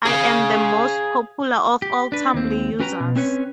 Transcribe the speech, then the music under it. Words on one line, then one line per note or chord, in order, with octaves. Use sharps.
I am the most popular of all Tumblr users.
G#4 F5
G4
D4 B4
D#2 C4
C#4 F#4 B4 G5 A5 A#5
B2
C4 C#4 B4 C#5